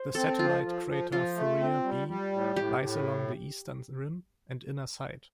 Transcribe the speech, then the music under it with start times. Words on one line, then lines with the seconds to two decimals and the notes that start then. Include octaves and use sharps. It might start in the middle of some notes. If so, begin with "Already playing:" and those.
The satellite crater Fourier B lies along the eastern rim and inner side.
Already playing: C5
0.15 C4 A4
0.39 F3 F4
0.64 F3
0.87 F3
1.11 F3 F4
1.36 A3
1.60 C4
1.83 G3
2.08 G3
2.32 A2
2.56 A2 G4
2.80 A2